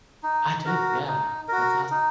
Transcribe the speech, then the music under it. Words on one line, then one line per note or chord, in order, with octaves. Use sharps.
I do, yeah, that's awesome.
D#4
F#4 A#4
D#4
F#4 A#4
D#4